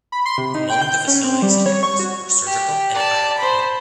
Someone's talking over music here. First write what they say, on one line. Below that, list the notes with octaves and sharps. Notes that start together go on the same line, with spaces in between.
Among the facilities it has are surgical and eye equipment.
B5
C6
C3
D#4
G5
G6
C#4
C4
G3
C#5
C#6
F#4
G4
D5 A5
C5 B5